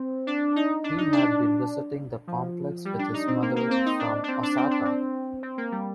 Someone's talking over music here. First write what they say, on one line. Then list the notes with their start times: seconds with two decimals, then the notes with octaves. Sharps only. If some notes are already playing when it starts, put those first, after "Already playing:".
He had been visiting the complex with his mother from Osaka.
Already playing: C4
0.27 D4
0.56 D#4
0.84 D4
0.98 D#4
1.13 D4
2.27 F3
2.85 G3
2.99 D4
3.14 D#4
3.27 C4
3.42 A#3
3.56 A#3
3.71 C4
3.86 D#4
3.99 D4
4.24 D4
4.28 C4
4.43 D4
4.57 C4
4.71 D4
4.85 C4
5.43 C4
5.58 A#3
5.72 G3